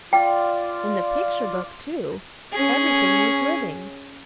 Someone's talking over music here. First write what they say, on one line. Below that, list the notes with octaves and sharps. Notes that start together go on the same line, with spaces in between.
In the picture book, too, everything was living.
F4 D5 G5
C#4 G#4